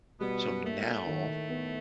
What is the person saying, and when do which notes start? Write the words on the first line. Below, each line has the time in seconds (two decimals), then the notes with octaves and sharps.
so now,
0.20 B2 G3 B3
0.64 A2 A3 A#3
1.07 D#3
1.49 B3